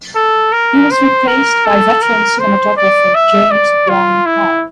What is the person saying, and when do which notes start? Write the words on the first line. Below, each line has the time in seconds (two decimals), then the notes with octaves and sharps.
He was replaced by veteran cinematographer, James Wong Howe.
0.16 A4
0.53 A#4
0.91 C5
1.27 A#4
1.66 A4
2.02 A#4
2.39 C5
2.77 D5
3.15 E5
3.51 D5
3.89 F4
4.26 E4